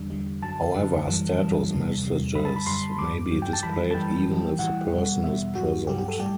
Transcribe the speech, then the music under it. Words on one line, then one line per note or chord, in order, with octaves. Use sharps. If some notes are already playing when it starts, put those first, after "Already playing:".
However, status messages may be displayed even if the person is present.
Already playing: E2 D3 G3
E2 D3 G3
F#2 D3 F#3 A5
F#2 D3 F#3
F#2 E3 G3
F#2 E3 G3
E2 C3 G3
E2 C3 G3
F#2 D3 G3 B5
A5
B5
F#2 D3 G3 C6
G2 F#3 D6
G2 F#3
G5
A5
F#2 E3 G3 B5
A5
F#2 E3 G3 G5
A2 E3 G3
A2 E3 G3 F#5
E2 B2 G3
E2 B2 G3 E5
G2 F#3 F#4
G2 F#3 G4
G4
A4
A2 G3 G4